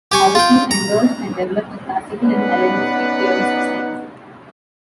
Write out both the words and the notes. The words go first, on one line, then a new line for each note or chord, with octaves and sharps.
Augustine endorsed and developed the classical and Hellenistic theories of signs.
G4 G#5 C#6
F4 G5
A#5
B3 C#4 D#4 B4 D5 F#5